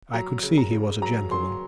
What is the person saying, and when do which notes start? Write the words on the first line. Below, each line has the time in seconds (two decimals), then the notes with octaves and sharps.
I could see he was a gentleman.
0.13 F#3 A#5
0.43 C#3
0.58 A#5
0.72 C#3
1.02 F#3 A#5
1.31 F#3 C6